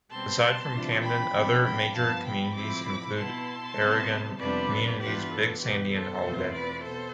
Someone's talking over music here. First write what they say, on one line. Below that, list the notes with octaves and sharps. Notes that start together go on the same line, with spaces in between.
Aside from Camden, other major communities include agrarian communities Big Sandy and Holladay.
B2 G3 C4 A5 C6
C3 E3 G3 D4 F4
G5 B5
C3 F3 B3 D4
G5 B5
G2 F3 B3 F5 A5
G5 B5
A2 F3 C4 E4 B5 D6
B2 B3 E4 A5 C6
C3 G3 B3
F2 C3 G3 B3 D4 B4 D5
G2 E3 B3 D4 F4 G4 B4
A4
E2 B2 B3 G4 B4
A4 C5
E2 B2 A3 C4 F4
B4 D5
B2 A4 C5